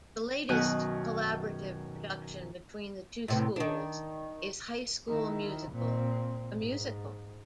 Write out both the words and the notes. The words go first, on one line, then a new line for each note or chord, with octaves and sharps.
The latest collaborative production between the two schools is High School Musical: The Musical!
F#2 B2 D#3 D#6 F#6
A2 C3 B3
D#3 D4
D#3 E4
A#2 C4
G#2